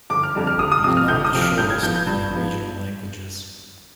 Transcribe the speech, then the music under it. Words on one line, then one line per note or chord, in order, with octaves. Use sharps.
It is not the shortest in the original languages.
G1 D6
F6
F2 D3 G3
F6
D2 D#6
D#6
C3 F3 C4 D#6
F6
D2 G6
D#6
C3 F3 C4
F6
G2 G6
G#6
F3 B3 G6
G6
G2
F3 B3